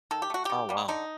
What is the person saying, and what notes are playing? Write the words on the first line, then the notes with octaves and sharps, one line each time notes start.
Oh, wow.
D#3 A4
G4
A3 F#4
D#3 G4
G3 A#3
D3 D#4